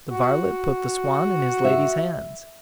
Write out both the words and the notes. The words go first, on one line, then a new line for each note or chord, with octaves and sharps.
The varlet put the swan in his lady's hands.
F#4
E5